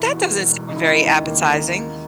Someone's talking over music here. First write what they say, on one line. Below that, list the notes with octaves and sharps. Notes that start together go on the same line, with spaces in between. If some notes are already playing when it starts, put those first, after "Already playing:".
That doesn't seem very appetizing.
Already playing: E2 B2 A#3 E4
B2
E1
E1
C#3 D#4
E4
C#3 D#4
D#2
A#3